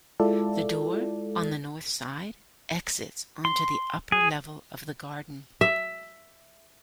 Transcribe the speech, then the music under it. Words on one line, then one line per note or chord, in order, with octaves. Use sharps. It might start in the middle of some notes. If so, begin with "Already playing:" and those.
The door, on the north side, exits onto the upper level of the garden.
G#3 E4 F4 A4 D5
C6
G#4
E5